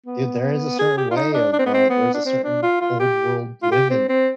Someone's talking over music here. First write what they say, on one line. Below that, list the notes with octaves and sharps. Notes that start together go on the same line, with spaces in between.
dude, there is a certain way of, uh There's a certain old-world living,
B3
G#4
G4
F4
D#4
D4
D4
C4
B3
C4
B3
D4
C4
D4
F4
F4
G4
F4
G4
C4
C4